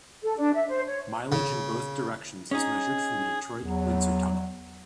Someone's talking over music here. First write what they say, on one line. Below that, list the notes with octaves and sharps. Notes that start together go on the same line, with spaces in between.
Mileage in both directions is measured from the Detroit-Windsor Tunnel.
A4
D4
E5
C5
C#5
C#3
C#4 D#4 G#4
E2 F#3